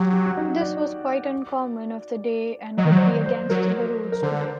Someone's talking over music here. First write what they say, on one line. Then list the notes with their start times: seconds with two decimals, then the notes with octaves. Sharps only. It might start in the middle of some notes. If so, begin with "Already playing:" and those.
This was quite uncommon of the day and would be against the rules today.
Already playing: F#3 G4
0.13 G4
0.26 F#4
0.37 D#4
0.61 D5
2.78 F#3 D#5
2.85 D#3
2.92 F#3 C5
3.02 D5
3.26 C5
3.50 F#3 A#4
4.12 A#4
4.22 D3 C5